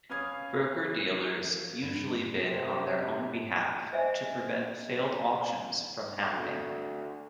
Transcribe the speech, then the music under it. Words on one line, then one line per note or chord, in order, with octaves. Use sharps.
Broker-dealers usually bid on their own behalf to prevent failed auctions from happening.
C#4 B4 F5 D#6 G#6 C7
F3
G2
C3
C5 D#5 E5 G#5
D2